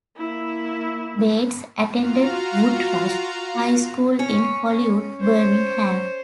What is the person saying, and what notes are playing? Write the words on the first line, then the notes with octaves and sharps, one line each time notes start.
Bates attended Woodrush High School in Hollywood, Birmingham.
A#3 E4
F4 F#4 F5 A#5
C#4
C5 C#5